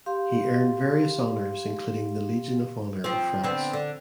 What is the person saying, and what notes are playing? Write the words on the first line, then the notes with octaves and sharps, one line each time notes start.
He earned various honors including the Legion of Honour of France.
G4 F5 C6
F3 C4
D3 B3 C4
D3